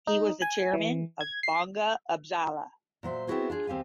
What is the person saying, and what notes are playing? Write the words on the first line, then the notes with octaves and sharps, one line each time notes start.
He was the chairman of Bhanga upazila.
D#4
G#5
E3
G#6
C7
A#2 F#3 C5 E5
B3 C4 E4 F#4 G#4 C5
D4 F4 G#4
D#2 C4 G4 F5 G#5